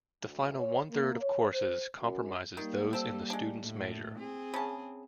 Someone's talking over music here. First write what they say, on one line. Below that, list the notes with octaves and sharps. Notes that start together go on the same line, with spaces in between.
The final one-third of courses comprises those in the student's major.
D2
C#5
A#3
C#5
C5
F#2
D#3 G3 A#3
C4 A4
G#3 D4
A2
C4 G#4
C#3 A5